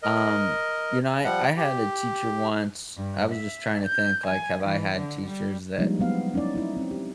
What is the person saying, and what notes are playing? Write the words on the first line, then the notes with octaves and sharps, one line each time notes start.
um, you know, I I had a teacher once I was just trying to think, like, have I had teachers that
A#4 D#5
F3 G3 F#5
G4
G2
E5
G6
G#5
E3
D3
G3
F3 G3 G#3 A#3 D4 D#4
F#3 G#3 B3 F5
C#4 D#4 E4 D5
D#4 E4
C4
G4